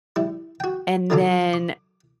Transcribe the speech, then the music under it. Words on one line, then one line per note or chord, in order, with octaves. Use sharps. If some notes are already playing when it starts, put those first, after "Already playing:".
And then,
G3 E4
F#4 G5
D3 D#3 F#3 F4 A4 D6
D6